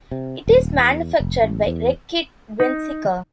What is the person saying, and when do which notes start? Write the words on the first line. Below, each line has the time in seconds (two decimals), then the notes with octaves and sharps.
It is manufactured by Reckitt Benckiser.
0.11 C3
0.48 D#1
0.78 E2
1.20 F1
1.42 A1
1.67 E2
2.60 D#4